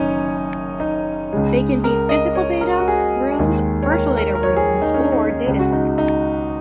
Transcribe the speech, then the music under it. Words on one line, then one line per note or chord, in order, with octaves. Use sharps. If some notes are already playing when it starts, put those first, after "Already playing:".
They can be physical data rooms, virtual data rooms, or data centers.
Already playing: F#1 F#2 D#3 C#4 D#4 C#5
D#4
C#2 C#3 G#3
A#4
D#5
C#5
A#4
F#4
G#4
D#2 D#3 G#3
C#5
A#4
A#4
A#4
C#5
G#4
D#4
C#4
D#4
D#4
C#2 C#3 G#3
F#4
D#4
D#4